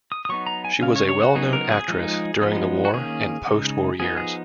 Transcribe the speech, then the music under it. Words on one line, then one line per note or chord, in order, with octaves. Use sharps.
She was a well-known actress during the war and post-war years.
D#6
D#6
F#3 B3 D#4 C#6
A#5
G#5
C#3 G#3 C#4 F5
C#5
C#5
F#4
C#3 F#3 B3 D#4 G#4
A#4
G#4
F3 G#3 D#4
F3 G#3 B3 D#4
F#4
D#3 A#3 C#4 G#4
C#3 G#3 D#4
F3 B3 D#4 G#4
G#4